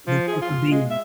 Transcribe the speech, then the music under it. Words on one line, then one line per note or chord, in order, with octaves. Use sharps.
the worker bees.
F3
G#4
F4
G#3
E5